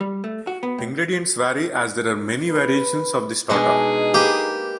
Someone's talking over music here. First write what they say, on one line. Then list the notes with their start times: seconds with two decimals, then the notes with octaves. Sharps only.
Ingredients vary as there are many variations of this torta.
0.01 G3
0.24 A3
0.47 F#4
0.63 B3
0.78 A2
2.47 B4
3.50 B2 G#3 D4 D#4 G#4
4.14 A#3 G4 B4